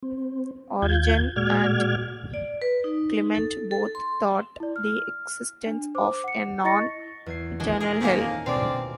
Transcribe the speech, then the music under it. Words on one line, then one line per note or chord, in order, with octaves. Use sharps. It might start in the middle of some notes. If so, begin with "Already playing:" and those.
Origen and Clement both taught the existence of a non-eternal Hell.
C4
D#2 F4 G6 G#6
A#2 G#3 F#4 D5 F6 G#6
D5
B4
D#4
A4
A4
C6
E4 D5
F6
D4
C5 D6
F#5 C#7
E4 D#5 C#6 A6 A#6 C#7
E2 G#6 C7
D#1 D4 D#5 G#5
G#4 A#4
F2 G#2 A3 A#3 C#4 A#4
G#5
D2 B2 C4 D5 F5